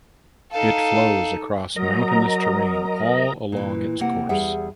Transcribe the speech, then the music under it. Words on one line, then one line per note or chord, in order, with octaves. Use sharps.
It flows across mountainous terrain all along its course.
D#4 A4 F5
F#3 A#4 D#5 A#5
A#2 E3
C3 A#3 F#5
E2 G3 G#4 E5 F#5